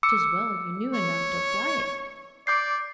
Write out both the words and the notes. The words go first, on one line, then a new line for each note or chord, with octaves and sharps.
'Tis well you knew enough to apply it.
D6 E6 C#7
C#5
D5 D6 G6 C7